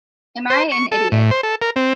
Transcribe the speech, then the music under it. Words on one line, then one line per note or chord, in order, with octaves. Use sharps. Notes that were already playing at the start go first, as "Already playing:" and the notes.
Am I an idiot?
C5
C#6
A4
A2
C5
A4
A#4
C4